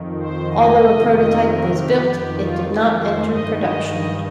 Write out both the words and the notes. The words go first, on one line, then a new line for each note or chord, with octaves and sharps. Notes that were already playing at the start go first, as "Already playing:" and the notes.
Although a prototype was built, it did not enter production.
Already playing: F2 D#3
C5
D#5
F2 C3 D#3
D#5
A#4
G4
F2 D#3
F4
G4
C5
G2 D#3 D#5
D#5
D#5